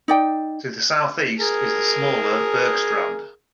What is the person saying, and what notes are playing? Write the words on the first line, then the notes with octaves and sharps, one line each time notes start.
To the southeast is the smaller Bergstrand.
D#4 D5 G5
G#4 A#4